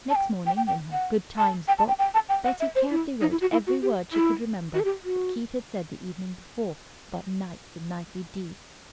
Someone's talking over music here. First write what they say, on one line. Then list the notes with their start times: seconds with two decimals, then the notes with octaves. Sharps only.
Next morning in her "Good times" book, Betty carefully wrote every word she could remember that Keith had said the evening before, about knights and knightly deeds.
0.10 A5
0.15 G5
0.46 G5
0.57 G5
0.67 G5
0.92 F#5
1.38 A5
1.68 G5
1.79 A5
1.88 G5
1.99 G5
2.14 A5
2.29 G5
2.44 F#5
2.60 E5
2.75 C5
2.91 E4
3.21 D#4
3.31 E4
3.41 F#4
3.52 E4
3.67 F#4
3.82 G4
4.12 E4
4.74 F#4
4.80 A4
4.85 G4
5.04 F#4